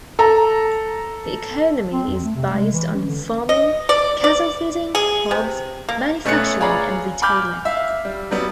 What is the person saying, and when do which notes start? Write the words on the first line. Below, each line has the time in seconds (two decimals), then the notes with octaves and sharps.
The economy is based on farming, cattle feeding, hogs, manufacturing and retailing.
0.19 A4 A#5
1.93 C4
2.07 F2
2.24 A3
2.36 C3
2.54 G#3
2.73 E3
2.94 C#4
3.07 D3
3.49 D#5
3.89 D5
4.24 D5
4.95 G#4
5.31 C3
5.89 A#3
6.25 B1 A3 B3 C#4 F#6 C#7
6.60 F4 G#4 C#5 D5 A#5 B5
7.22 G#5 B5 D6 F6 G6
7.65 E5 F5
8.05 G3
8.31 F#3 G3 B3